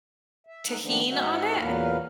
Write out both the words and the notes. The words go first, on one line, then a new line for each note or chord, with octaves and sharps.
tajin on it?
E5
A3 D#4 A4 F#5
D#3 F3 A3 B3 C4 D4
G#2 G#3 D#4 F#4 E5 F#5
E2 A#2 F#3 A#3 B4 F5